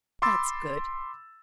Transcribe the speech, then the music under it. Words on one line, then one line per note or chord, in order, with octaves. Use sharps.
That's good.
B5 C6 D6 E6 A6